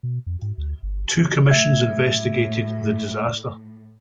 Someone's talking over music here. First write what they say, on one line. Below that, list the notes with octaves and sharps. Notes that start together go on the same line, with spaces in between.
Two commissions investigated the disaster.
B2
F2
G#2
D2
G1
A2 E5 G#6